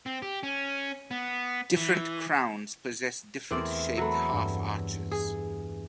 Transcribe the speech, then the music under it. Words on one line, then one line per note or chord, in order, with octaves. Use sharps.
Different crowns possess different shaped half arches.
C4
G4
C#4
B3
E3
E2 A3 C4 A#4 D5
F#3 A3 B5 E6
G2
G#4